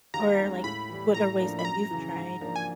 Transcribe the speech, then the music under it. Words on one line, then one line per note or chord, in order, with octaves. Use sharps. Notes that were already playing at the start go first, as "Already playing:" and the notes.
or, like, what are ways that you've tried
D#2 A#5
D#3 G#3 C#4
A2 B5
E3 G3
A2 A#5
F3 A#3 D4
B5
F#2 A#5
C#3 E3
G#2
F3 A#3 D4
G#5